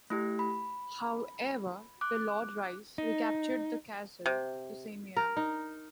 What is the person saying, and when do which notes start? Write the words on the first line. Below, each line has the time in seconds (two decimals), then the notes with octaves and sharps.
However, the Lord Rhys recaptured the castle the same year.
0.10 A3 E4 G4
0.39 B5
2.01 D6 F#6
2.98 D#4
4.26 C3
5.16 A#4
5.37 D#4